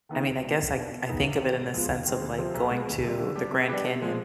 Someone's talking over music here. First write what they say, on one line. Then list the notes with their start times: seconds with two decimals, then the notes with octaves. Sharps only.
I mean, I guess, I I think of it in the sense of, like, going to the Grand Canyon,
0.09 D#3 B3 D#4 G#4
0.26 C2
0.42 B2 G#3 D4
0.58 B1
0.75 B2 B3 D4
0.91 B2
1.07 B3 D#4 G#4 B4
1.24 C2
1.40 C3 D#3
1.56 G#2
1.73 F3 G#3 B3 F4
1.89 D#2
2.05 D#3 G#3 C4
2.22 D2
2.38 C3 F3 C4
2.54 B1
2.71 B2 G#3 B3
2.87 D2
3.03 C3 G3
3.19 D3
3.36 G3 D4 G4
3.51 C3
3.68 G3 D4 G4 B4
3.85 C3
4.02 F3 G#3 C4